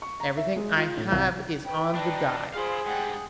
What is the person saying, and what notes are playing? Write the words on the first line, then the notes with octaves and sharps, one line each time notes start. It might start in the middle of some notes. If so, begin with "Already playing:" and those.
Everything I have is on the die.
C#6
A#5
E5
G#3
F4
A2
C2
B4 G5
D4 D#4
F4 G#4 C5 F5 B5
G#2 G3 F#5 G5